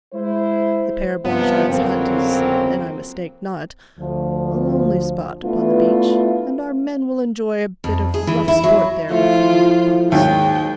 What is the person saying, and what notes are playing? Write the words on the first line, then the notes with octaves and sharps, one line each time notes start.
The Pere Blanchard's hut is--an I mistake not--a lonely spot upon the beach, and our men will enjoy a bit of rough sport there with the wounded fox.
G#3 E4 C5
G2 C3 F3 B3
G1 F2 C#3 F#3 A#3 C4
D2 F3
A3 B3 D4 E4 F4 B4
F2
G#4
E3
E4
F#3
F3 A3 E4 F4
D#2 G#2 F#3 G5